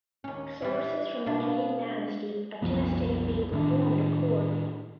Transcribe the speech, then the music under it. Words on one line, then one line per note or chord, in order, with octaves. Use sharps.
Sources from the Tang dynasty attest to it being performed at court.
D#2 C#4
E3 G3
B2 A#3 D4
C2 F#2 F3 B3
A2 D#3 D4